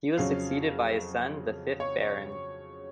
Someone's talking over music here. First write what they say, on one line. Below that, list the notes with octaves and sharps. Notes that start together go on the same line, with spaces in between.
He was succeeded by his son, the fifth Baron.
F2 C#3 F#3 C#4 F5
C#5